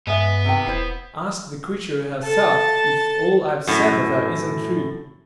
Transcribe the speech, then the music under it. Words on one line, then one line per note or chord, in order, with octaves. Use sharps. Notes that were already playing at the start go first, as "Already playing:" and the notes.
Ask the creature herself if all I've said of her isn't true.
G2 G#3 B3 E5
C3 D#3 G5
E1 E4 C5
A4 A5
F#2 A2